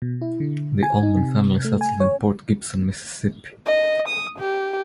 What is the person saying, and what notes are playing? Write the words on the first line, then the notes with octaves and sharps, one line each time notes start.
The Ullman family settled in Port Gibson, Mississippi.
B2
E4
D3
G#5
D#4
C3
A3
G#5
C#5
D#5
D#6
G4